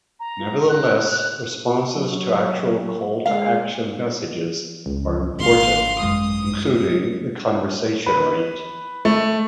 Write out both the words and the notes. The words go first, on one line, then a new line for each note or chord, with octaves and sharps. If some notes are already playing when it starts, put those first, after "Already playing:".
Nevertheless, responses to actual call-to-action messages are important, including the conversion rate.
A#5
F#6
F#3
G#3 F5
C#2
G#1 F5 C6
F#2 G#3 D#6
B4
A3